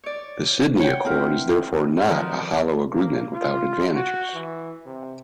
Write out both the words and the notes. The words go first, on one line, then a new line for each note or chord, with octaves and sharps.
The Sydney Accord is therefore not a hollow agreement without advantages.
C#5 D5
C#5 F#5 G5
C4 E4 A#4 B4
D#3 F3 F#3 A#4 B4 A#5
A#3
F4
F#4
E3
C3